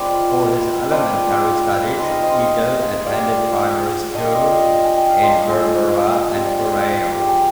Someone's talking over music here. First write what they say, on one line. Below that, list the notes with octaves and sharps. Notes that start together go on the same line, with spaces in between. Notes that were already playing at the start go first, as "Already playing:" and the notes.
For his elementary studies, Egal attended primary school in Berbera and Burao.
Already playing: G#3 C4 F4 B4 D5
F3 C4 F4 B4 D5
G#3 C4 D#4 D#5
F5
C5 D#5
G3 D4 F4 D5 F5
G3 D4 F4 D#5
F5
C5 D#5
G#5
G5
F5
F3 G#3 B3 D4 C5 D#5
G#4 C5
G3 C4 F4
G4
G#4